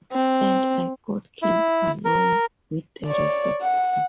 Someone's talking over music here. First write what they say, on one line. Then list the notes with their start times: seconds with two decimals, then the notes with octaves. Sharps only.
And I got killed along with the rest of them.
0.13 C4
1.42 E4
2.05 A#4
3.06 C#5 D5
3.62 F#5